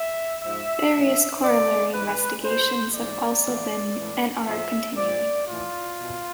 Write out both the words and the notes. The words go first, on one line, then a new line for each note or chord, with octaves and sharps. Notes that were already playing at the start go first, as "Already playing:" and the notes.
Various corollary investigations have also been and are continuing.
Already playing: E5
G#2 F3 E5
A2 E3
B2 D5
G#2 E3 B4
B2 C5
G#2 E3 D5
A2 E3
A2 E3
A2 F3 E5
G#2 F3 D5
A2 E3 F4
B2